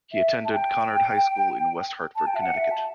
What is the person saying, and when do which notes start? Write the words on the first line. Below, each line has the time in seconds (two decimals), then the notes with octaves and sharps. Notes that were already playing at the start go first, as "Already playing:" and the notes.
He attended Conard High School in West Hartford, Connecticut.
0.13 E5
0.45 A5
0.52 G5
2.16 A5
2.27 G5
2.35 E5
2.41 F#5
2.56 E5
2.71 A5